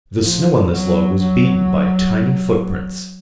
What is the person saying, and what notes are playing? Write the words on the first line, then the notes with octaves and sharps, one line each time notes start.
The snow on this log was beaten by tiny footprints.
F3
F#3
F#3